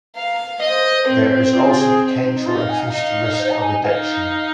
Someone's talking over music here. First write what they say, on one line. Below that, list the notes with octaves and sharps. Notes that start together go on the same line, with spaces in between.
There is also a potential increased risk of addiction.
F5 A#5
C5 D#5
C4
F4
D#4
F4
G#4
D#4
D#4
D#4 F4
F5
G#5
F5
D#4
C5
A#5
G#5
G#5
D#4 F5